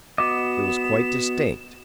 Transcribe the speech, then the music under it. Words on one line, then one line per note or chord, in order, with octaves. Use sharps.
It was quite distinct.
B3 F#4 D#5 D6 E7